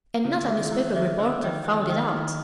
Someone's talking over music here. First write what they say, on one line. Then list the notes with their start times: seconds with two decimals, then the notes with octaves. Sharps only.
And not a newspaper reporter found it out!
0.24 C#3 E4
0.40 D3
0.48 G#4 C#5 E5
0.56 D#3
0.71 E3 E4
0.95 D#3 G#4 C#5 E5
1.19 D3 C5
1.42 D#3 D#5 G5
1.65 E3 C5
1.81 D3
1.89 D#3 D#5 G5
2.13 E4